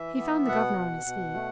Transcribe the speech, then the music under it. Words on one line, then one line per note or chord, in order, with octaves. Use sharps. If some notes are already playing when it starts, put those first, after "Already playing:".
He found the governor on his feet.
Already playing: E3 E5
B3
B2 F#5
B2
B2
A3